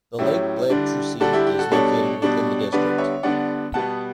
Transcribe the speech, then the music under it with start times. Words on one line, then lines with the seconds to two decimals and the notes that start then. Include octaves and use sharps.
The lake Bleibtreusee is located within the district.
0.19 A2 F#3 C#4 E4 G4
0.70 D3 G3 D4
1.20 D3 G3 D4 F#4 A4
1.33 E4 G4
1.47 G4
1.59 F#4 A4
1.71 B2 G3 D4 A4 C#5
2.22 B2 G3 D4
2.72 D3 G3 B3 D4 B4 D5
2.98 C#5 E5
3.23 D3 G3 B3 D4 D5 F#5
3.74 B2 G3 B3 F#5 A5